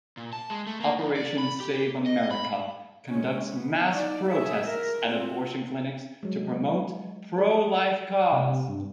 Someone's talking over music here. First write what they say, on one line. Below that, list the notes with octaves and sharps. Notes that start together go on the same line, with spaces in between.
Operation Save America conducts mass protests at abortion clinics to promote pro-life cause.
A#2
A5
G#3
A3
A#3
F2
D5
B5
G4
D#5
B5
G#3 C#4
B3
D#4 D5
G#4 E5
A#4
C4 F4
F#3 G#3
G#4
C3
G2